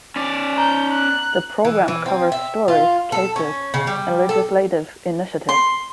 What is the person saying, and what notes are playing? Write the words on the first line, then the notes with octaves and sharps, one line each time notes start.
The program covers stories, cases, and legislative initiatives.
C#4 D5
A#5 G6
F#6
E3
E3
C4
E5
F4
A4
C#4
C#3
G3
A4
C6